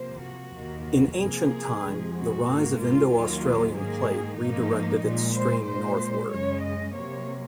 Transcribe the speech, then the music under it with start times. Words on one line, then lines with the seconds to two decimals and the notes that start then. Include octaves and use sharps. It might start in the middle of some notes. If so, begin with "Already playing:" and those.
In ancient time, the rise of Indo-Australian Plate redirected its stream northward.
Already playing: C3 F3 A#3 C5
0.22 F#4
0.54 D#2 D#3 A#3
0.86 F#4
1.18 C3 F3 A#3 G#4
1.82 F2 C3 F3 G#3
2.14 F#4
2.46 G#2 D#3 A#3
2.78 F4
3.10 D#2 D#3 F#3 A#3 F4
3.74 G#2 D#3 A#3 G#4
4.38 G#2 F3 A#3 D#4
5.03 A#2 G#3
5.34 C5
5.66 A#2 G#3 C5
6.30 F#2 C#3 G#3 C#5
6.62 D#5
6.95 C3 F#3 A#3 C#5